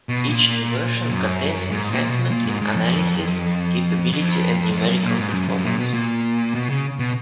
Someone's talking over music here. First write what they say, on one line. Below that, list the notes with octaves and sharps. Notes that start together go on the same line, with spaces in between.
Each new version contains enhancements in analysis capability and numerical performance.
B2
A#2
F#2
G#2
A#2
B2
A#2
G#2
G#2
F2
F2
F2
F#2
A#2
G#2
F#2
F#2
A#2
B2
A#2
B2
C#3
B2